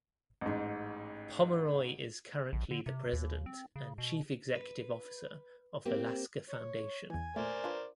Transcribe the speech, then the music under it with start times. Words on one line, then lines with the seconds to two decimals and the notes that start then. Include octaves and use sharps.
Pomeroy is currently the president and chief executive officer of the Lasker Foundation.
0.41 A1 G#2
2.53 A#1
2.71 D3
2.86 C3
3.13 D#2
3.46 C4
3.76 C#3
3.98 B2
4.55 B4
5.85 A#3 C4 G4
6.47 C#5
7.10 E2 E3 G#5
7.36 A#2 A3 A#4 C5 D5
7.64 D4 F4 B4